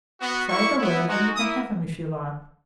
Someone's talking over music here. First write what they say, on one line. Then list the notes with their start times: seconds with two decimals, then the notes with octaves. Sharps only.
"Say the word, and you can have them, if you like."
0.20 B3 F#4
0.49 A#3 E4 C#6
0.78 B3 E4
1.06 G#3 D#4 F#4
1.35 A#3 E4 D#6